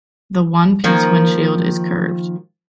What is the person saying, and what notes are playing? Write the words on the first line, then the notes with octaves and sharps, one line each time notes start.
The one-piece windshield is curved.
D#3 F3 A#3